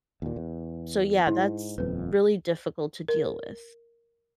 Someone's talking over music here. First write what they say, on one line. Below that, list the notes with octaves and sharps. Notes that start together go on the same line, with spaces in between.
so yeah, that's really difficult to deal with.
D#2 A#2
E2
G#2 E4
D#1 F2 B4
A#4